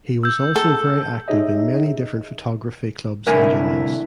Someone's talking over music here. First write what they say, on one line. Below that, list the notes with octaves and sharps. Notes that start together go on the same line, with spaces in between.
He was also very active in many different photography clubs and unions.
E6 G6
A4
D#4 G4 G#4 C#5 D#5 E5
C2 A2 D3 E4 A#4 G#5